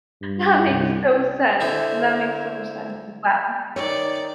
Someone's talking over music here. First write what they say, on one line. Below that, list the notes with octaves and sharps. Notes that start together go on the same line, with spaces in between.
That makes so sense. That makes so much sense. Wow.
G2
C2
D3 E4 C5 D#5
D#3 C#5 D5